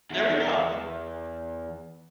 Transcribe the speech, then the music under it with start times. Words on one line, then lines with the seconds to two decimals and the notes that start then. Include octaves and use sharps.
There we go.
0.11 E2 E5